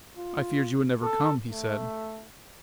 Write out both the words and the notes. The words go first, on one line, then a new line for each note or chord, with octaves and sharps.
"I feared you would never come," he said.
F4
A4
A3